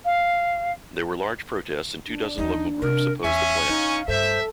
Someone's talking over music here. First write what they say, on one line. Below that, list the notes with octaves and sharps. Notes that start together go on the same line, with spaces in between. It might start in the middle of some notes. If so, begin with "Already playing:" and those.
There were large protests and two dozen local groups opposed the plant.
F5
D4
D#2 E3 D#4
C3 A#4
E2 C#4 E5 G#5 C#6
D4 D#4 F5
G2 A4 C5 E5